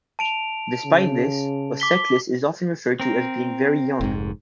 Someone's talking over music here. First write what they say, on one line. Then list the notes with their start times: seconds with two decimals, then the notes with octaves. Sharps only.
Despite this, Auseklis is often referred to as being very young.
0.19 A5 D7 F7
0.86 C#3
1.80 D6 B6 G7
3.00 C4 A#4
4.01 F1 G#2